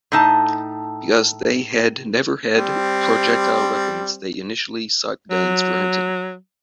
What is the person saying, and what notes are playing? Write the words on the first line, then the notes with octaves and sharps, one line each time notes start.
Because they had never had projectile weapons, they initially sought guns for hunting.
A2 D#4 A5
G3 C4
F#3